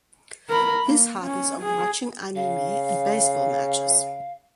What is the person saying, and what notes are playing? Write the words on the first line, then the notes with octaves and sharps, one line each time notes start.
His hobbies are watching anime and baseball matches.
A#4 B5
A#3
C#4
G#4
C#3 F5